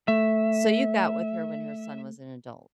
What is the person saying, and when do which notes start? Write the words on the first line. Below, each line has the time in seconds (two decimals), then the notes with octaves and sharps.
so you got with her when her son was an adult.
0.08 A3 E5